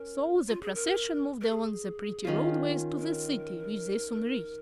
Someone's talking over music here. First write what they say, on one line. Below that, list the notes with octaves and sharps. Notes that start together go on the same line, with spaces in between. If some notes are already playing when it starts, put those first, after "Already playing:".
So the procession moved along the pretty roadways to the City, which they soon reached.
Already playing: C#4 A#4
F4
G#4
A#4
A#4
G#4
D#3 C#4 F4
A#4